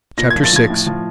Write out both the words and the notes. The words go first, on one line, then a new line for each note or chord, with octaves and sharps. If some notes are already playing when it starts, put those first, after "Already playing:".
Chapter VI.
A#2 A#6
G#6
F3
A6
F3 G#6
A2
F3